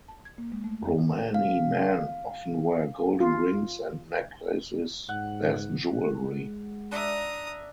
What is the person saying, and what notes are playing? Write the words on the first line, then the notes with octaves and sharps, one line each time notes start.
Romani men often wear golden rings and necklaces as jewelry.
A5
G#6
A#3
G#3
A3
F2
F5
F4
G#2 F#5
G#3
D4 E5 A#5 D#6